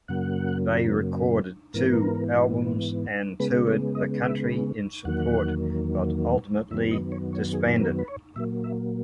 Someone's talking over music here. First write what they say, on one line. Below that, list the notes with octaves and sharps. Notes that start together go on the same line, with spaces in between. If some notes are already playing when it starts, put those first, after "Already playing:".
They recorded two albums and toured the country in support but ultimately disbanded.
F#2 C#3 F#3 A#3 F#5
G#2 E3 B3 A#4
C#3 G#3 B3 B4
C#5
D#5
E5
E2 D#3 F#3 A#3 F#5
F#2 D#3 F#3 B3 E5
D#5
C#5
C#5
G#4
A#4
B4
C#5
A#2 F#3 A#3 E5
E5